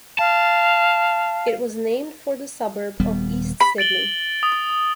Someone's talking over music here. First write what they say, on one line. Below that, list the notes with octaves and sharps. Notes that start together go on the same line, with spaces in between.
It was named for the suburb of East Sydney.
F5 A5
D#1 G3 B3
B5
A6 D7 F#7 G7
D#6